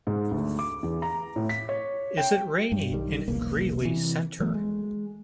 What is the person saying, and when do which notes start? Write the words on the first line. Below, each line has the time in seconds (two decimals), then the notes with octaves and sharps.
Is it rainy in Greely Center?
0.07 G#2
0.31 D2
0.59 D6
0.83 E2
1.02 A#5
1.36 A2
1.49 B6
1.69 C#5
2.17 G5
2.72 G2
2.92 B1 D#3 G3
3.28 E1 B1 A#3
3.82 C3 E3
4.40 E3 F#3 A3 B3
4.54 G#3